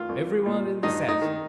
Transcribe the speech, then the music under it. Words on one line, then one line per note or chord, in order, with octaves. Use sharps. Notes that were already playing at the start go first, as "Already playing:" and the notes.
Everyone in the set!
Already playing: D#3 F4
C2
A#2
G2 D#4
D#4
D#3